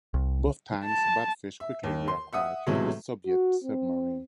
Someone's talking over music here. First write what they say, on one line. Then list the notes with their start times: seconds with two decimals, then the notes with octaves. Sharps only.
Both times, "Batfish" quickly reacquired the Soviet submarine.
0.14 C2
0.85 A5
1.60 E5
1.83 D#2
2.08 C6
2.33 E5 F#5 D#6
2.67 B1 A2 C3 E3 F#3 G#3
3.26 F#4
3.64 C4